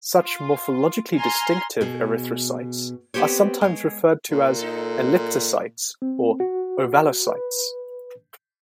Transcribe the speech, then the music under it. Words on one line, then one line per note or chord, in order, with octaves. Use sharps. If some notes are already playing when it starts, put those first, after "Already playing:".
Such morphologically distinctive erythrocytes are sometimes referred to as elliptocytes or ovalocytes.
F4
G#5 A#5 C6 F6
B2 G#4
B3 C4 D#4 G4 C5 C#5
G#3 C#5
A#2
D#4 A4
C4
F#4
B4